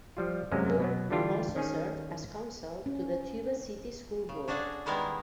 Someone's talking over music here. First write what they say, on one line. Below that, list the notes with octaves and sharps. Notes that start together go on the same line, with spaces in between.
Blue also served as counsel to the Tuba City School Board.
F3 G3 F4
F#2 C3 G#3 A#3 C#4
B2 F#3 B3
D3 E3 G3 D4 F4 G4
D#3 C#4 G#4
C#4
C#3
C#4 D4 F#4 G#4 A4
D#3 G3 G#3 B3 E4 A#4